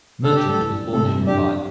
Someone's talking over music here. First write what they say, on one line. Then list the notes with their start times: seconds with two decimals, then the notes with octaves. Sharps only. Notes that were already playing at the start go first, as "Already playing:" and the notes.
Merchant was born in Mumbai.
0.24 D4 A4
0.36 G4
0.48 A4
0.58 E3
0.93 C3 A4
1.27 D4 G4